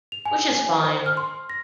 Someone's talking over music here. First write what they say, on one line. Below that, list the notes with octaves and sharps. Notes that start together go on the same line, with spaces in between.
Which is fine.
F7
G#5
G#5
C5
F6
C6
A#6